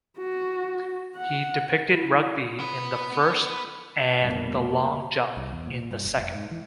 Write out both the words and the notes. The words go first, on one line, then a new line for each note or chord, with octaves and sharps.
He depicted rugby in the first and the long jump in the second.
F#4
F#5
E4
B3 B4
F1 D2 A#2 G3 A#3 B3
A#3
C2
E2
A#2
G2
F#1
F1
G#2
E3